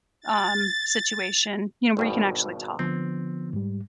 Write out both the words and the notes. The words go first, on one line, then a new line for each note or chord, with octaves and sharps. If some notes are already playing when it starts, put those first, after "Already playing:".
um, situation, you know, where you can actually talk.
A6
G#1 G2 B2
D3 F3 B3 C4
G#2 G3